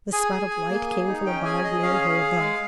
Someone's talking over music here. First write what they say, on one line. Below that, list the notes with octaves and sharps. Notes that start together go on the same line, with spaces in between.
The spot of light came from a barred man-hole above.
G#4 G#5
G#4
G#4
A#3
G#4
D#4
C#4 G5
G#4 G#5
G#4 D#5
C#4 F5
G#4
G#4
G#3